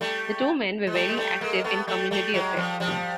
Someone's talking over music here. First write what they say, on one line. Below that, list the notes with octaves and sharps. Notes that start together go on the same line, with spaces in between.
The two men were very active in community affairs.
G3 A3
G#3
G3 A3
G#3
G3 A3
G#3 A#3
A3 B3
G3 A3
G3 A3
F#3 G#3
F3 G3
F3 G3